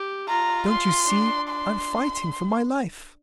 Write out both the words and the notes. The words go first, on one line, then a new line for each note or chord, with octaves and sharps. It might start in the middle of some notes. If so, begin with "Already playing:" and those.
Don't you see I'm fighting for my life?
Already playing: G4
F4 A#5
C6
D4
C6